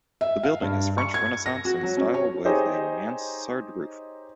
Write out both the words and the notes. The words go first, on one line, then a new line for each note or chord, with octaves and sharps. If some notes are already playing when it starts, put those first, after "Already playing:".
The building is French Renaissance in style with a mansard roof.
E5
F5
G2
C#6
G#6
A#6
F#4
F#3
C#4
C#5
D#4 G4 G#4 C5 C#5 D#5